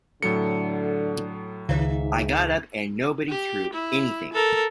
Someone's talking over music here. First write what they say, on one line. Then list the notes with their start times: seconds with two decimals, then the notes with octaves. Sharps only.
I got up and nobody threw anything.
0.22 A2 D3 F#3 A4 C#7
1.69 C#2 G#2 D#3 C5 E5
3.29 G4
3.73 E4
4.33 A4 A#4